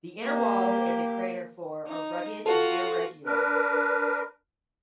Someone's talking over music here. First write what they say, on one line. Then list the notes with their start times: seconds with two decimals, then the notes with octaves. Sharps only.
The inner walls and the crater floor are rugged and irregular.
0.24 A#3 G4
1.87 D#4
2.46 F4 F#4 A4
3.26 D4 A#4 B4